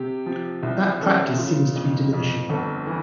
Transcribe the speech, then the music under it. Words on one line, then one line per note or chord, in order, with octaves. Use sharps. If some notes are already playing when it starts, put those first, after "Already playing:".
That practice seems to be diminishing.
Already playing: C3 G4
F3
C2
A1 A4
A1 F4
F2
F2
G1 A4
E3